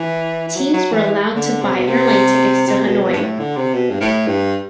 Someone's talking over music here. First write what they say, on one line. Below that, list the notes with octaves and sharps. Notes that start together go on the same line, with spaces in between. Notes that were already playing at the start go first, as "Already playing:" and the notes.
Teams were allowed to buy airline tickets to Hanoi.
Already playing: E3
E3
F#3
F#3
E3
D3
C3
B2
C3
C3
B2
C3
B2
G2
A2
D3
C3
B2
G2
A2
G2